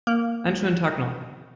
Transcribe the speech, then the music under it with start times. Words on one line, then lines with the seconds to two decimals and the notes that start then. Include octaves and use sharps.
Einen schönen Tag noch!
0.07 A#3